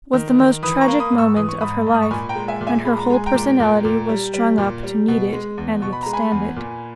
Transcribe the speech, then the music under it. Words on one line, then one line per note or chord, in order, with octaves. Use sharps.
It was the most tragic moment of her life, and her whole personality was strung up to meet it and withstand it.
D#3
D#3
E3 B5 D#6
A#5 C#6
A#3
B5 D#6
G#2
C#6 E6
E3 D#6
C#6
G#2 B5 D#6
G#2
D#6
C#6
A#2 G#5 B5
G5 A#5
G#3
E5 G#5
A#2
E5 G#5
G#3 B5
A#5
G#3 G#5
G5 A#5
A#2
A#2
A#2
G3
G3
A#2
G3
B2
G#3
E2
B2 C#6
B5
G#3 A#5
G#5 B5
E2
A#2